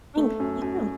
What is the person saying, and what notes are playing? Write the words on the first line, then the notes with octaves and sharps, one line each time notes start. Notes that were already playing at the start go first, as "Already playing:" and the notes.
Thanks, you too.
A3
F#2
F#2